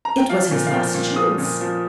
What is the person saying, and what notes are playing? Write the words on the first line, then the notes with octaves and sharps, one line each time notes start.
It was his last chance.
A#5
G5
F3 F5
A#2
F5
F3 G5
A#2
F3 D#6
A#2
F3